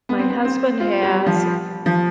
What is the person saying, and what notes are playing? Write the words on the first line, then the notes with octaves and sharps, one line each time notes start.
my husband has
B3
C4
B3
C4
F4
G3
F3
F3